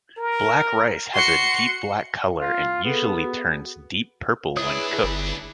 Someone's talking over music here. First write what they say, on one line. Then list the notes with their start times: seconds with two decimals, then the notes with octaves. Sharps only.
Black rice has a deep black color and usually turns deep purple when cooked.
0.17 A#4
1.14 F#4 C6 C#7
2.40 F4
2.84 B3 G#4 A4
3.24 F#4
4.57 D2 D4 E4 G#4 B4 C#5 D#6
5.03 G1